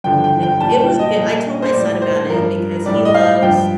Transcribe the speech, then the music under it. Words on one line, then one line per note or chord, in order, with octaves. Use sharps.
I know, it was goo I told my son about it because he loves
G2 D3 F3 G5
G5
G5
A#2 G3 A5
G5
D#5
A#2 G3
C5
A2 G3 D5
C5
G2 F3 A#4
A2 G3 D5
D#5
F5
G2 F3 G5